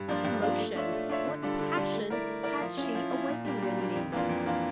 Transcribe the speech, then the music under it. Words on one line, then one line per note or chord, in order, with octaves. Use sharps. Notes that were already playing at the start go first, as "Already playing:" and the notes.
What emotion, what passion, had she awakened in me?
Already playing: G2
F3 A#3 D4 F4
G2
F3 A#3 D4 F4
A3
D4 F4 C#5 E5
A3
D4 F4 C#5 E5
D3
G3 D4 F4 A4
D3
G3 D4 F4 A4
A3
E4 A#4 D5
A3
E4 A#4 D5
F3
C#4 E4
F3
C#4 E4
A#2
G3 A#3 D4
A#2
G3 A#3 D4
F2
E3 A#3 D4 F4
F2
E3 A#3 D4 F4